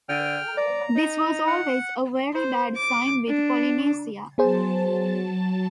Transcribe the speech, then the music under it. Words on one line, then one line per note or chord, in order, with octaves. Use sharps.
This was always a very bad sign with Polynesia.
D3 G5 F6
D5 A#5
D#4
F#5
C5
D6
D4
F#3 B3 G#4 C5 A5